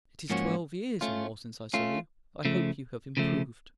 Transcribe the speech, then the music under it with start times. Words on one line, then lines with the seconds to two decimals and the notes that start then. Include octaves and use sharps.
"It is twelve years or more since I saw you; I hope you have improved."
0.30 G#2 F3 A#3 C#4 F#4
1.01 A3 C#4 F4
1.73 A3 C#4 F4
2.45 C#3 F3 A3
3.17 C#3 F3 A3